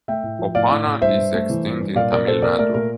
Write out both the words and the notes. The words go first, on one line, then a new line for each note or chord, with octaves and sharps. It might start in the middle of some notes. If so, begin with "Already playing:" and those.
Oppana is extinct in Tamil Nadu.
A3 E5 G5
A2
F3
A2 D5 F5
A2
A2
G2 C5 E5
G2
A3
E3
G2
G2
A#2 D5 F5
A#2 A#4 D5
A#2 A4 C5
A#2 A#4 D5
A3 A#4 D5
A#2 A#4